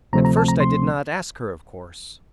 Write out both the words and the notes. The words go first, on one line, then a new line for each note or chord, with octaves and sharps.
At first I did not ask her, of course.
D2 C3 F3 A3 C4 A#5
A#5
A5
A#5
C6